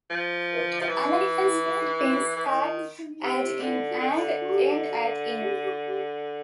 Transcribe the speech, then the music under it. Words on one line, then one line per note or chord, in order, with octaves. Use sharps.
American split pins start at in and end at in.
F3
F3
E3
E3
D#3
C3
D3
D3
D#3
D3